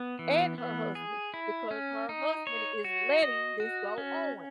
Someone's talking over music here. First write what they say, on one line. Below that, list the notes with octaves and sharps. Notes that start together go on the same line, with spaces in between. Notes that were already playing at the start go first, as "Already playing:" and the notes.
and her husband, because her husband is letting this go on.
Already playing: B3
E3
B3
G#4
E4
C#4
D#4
C#5
F#4
D#5
F#4
C#4